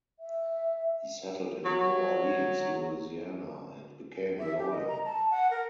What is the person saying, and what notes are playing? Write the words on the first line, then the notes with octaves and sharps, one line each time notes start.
He settled in New Orleans, Louisiana, and became a lawyer.
E5
F#3
E5
G4
D#5
A#5
A5
F#5
A#4